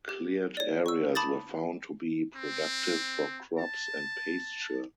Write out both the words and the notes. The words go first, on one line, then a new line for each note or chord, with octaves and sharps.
Cleared areas were found to be productive for crops and pasture.
G4
C#5 D5
C#6 E6
A5 B5 D6 D#6 G6 A6
C4
A5